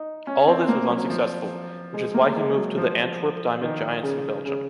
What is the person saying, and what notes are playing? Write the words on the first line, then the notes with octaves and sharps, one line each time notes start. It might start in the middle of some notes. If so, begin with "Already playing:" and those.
All of this was unsuccessful, which is why he moved to the Antwerp Diamond Giants in Belgium.
Already playing: D#4
C#4
C4
A#3
F#3
F3
G#3
A#3
G#3
F#3
F3
D#3
C#3
C#3